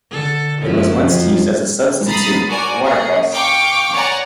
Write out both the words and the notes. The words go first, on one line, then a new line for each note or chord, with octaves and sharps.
It was once used as a substitute for watercress.
D3 A4
F#2 F3 G#3 E4
F2 F3
A#5 B5 D#6 A6 C7
F#4 A#4 D5 G#5
A#3 C#4 G#4
F5 G5 C#6 D6
C#5 D5 F#5 G#5 A#5 C#6